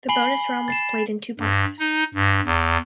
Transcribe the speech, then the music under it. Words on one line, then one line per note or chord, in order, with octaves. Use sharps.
The bonus round was played in two parts.
G#5 B5 C7 F#7 G7
A6 C7 E7
G2
D#4
G2
E2